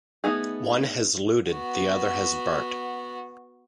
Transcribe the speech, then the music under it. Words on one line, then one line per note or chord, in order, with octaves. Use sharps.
One has looted, the other has burnt.
A3 B3 D#4 G#4
B3 F#4